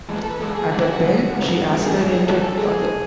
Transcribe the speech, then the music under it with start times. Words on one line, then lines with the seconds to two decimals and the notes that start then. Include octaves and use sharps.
At the bell she accelerated further.
0.09 A2 E3 G#3
0.16 B4
0.23 A4
0.30 B4
0.40 A2 E3 G#3 A4
0.55 G#4
0.71 F#2 C#3 E3 G#3 F#4
0.81 E4
0.92 F#4
1.02 F#2 C#3 G#3
1.33 F#2 C#3 G#3
1.64 F#2 C#3 E3 G#3
1.85 G#4
1.95 G#2 G#3 E4
2.11 G#4
2.27 G#2 G#3 A4
2.42 A4
2.57 G#2 G#3 G#4